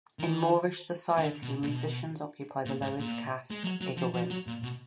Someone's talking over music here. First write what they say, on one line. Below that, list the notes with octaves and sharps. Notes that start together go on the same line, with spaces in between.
In Moorish society musicians occupy the lowest caste, iggawin.
D#3
D3
B2
A#2
B2
A#2
G#2
A#2
G#3
F#3
F#3
F3
F3
F#3
A#2
B2